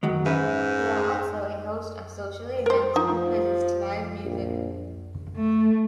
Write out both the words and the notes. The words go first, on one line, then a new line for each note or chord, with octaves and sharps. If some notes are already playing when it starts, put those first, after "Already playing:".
There are also a host of social events from quizzes to live music.
D#3 F#3 G#3
G#2 C#4 B4 E5
A#4 C5
F3 D#4
A#1
A3